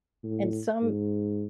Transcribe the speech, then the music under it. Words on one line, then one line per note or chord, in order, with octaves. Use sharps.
And some
A2
G#2